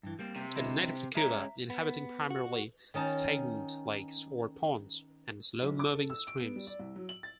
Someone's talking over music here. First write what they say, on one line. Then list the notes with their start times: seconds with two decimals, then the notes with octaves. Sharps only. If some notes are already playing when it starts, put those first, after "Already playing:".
It is native to Cuba, inhabiting primarily stagnant lakes or ponds and slow-moving streams.
0.03 G2 E3
0.19 G3 A#3 C4
0.36 C3
0.56 D3 G#3 E4
1.15 G#3 C#4 E5 A#5
1.70 B3
2.31 F#4
2.94 D#3 C#4 D#4 A5
5.62 B1
5.79 D6
5.94 A4
6.10 E6
6.27 D7
6.40 B3
6.56 G3
6.67 D5
6.79 C2
6.96 F#3
7.09 F#7
7.23 A6